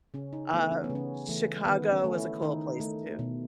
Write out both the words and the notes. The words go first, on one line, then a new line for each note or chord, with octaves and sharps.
Um, Chicago was a cool place too.
C#3 C#4
D#4
E3 A3 B3
C#4
B3
C#3
C#4
E3 A3
D#3 B3
C#4
A3
E4
D#3 D#4
A3
B2